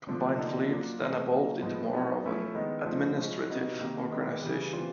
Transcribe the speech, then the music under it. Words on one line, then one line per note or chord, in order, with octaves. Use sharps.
Combined Fleet then evolved into more of an administrative organization.
D3 F3 A3 D4
D3 F3 A#3 D#4
F#3 A#3 D4 F4
E3 G#3 C4
F#3 A#3 D#4 F#4
A2 F3 G#3 B3
F#3 B3 D#4 F#4
F3 A3 C#4 E4
D#3 G#3 B3 D#4
F3 A3 C4 D#4
F3 G#3 C#4 E4
G3 B3 D#4 F#4
C3 D#3 G3 A#3
D#3 G#3 B3 D4
C#3 E3 G3
E3 G3 C4 F4